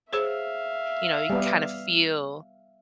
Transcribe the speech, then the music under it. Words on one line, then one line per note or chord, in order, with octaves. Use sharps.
you know you kind of feel
G#4 C5 C#5 E5 F5
G3 B3